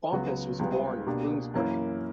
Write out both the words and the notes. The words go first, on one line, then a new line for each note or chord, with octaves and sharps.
Bompas was born in Bloomsbury.
C#2 C#3 F#3 B3 F#4
C#2 C#3 G3 B3
B2 A#3 D4 G4
F#2 E3 A#3 C#4 E4